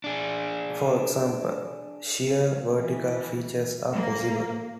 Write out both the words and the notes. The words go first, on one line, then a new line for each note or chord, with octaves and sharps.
For example, sheer vertical features are possible.
D4 G#4
E3
A#3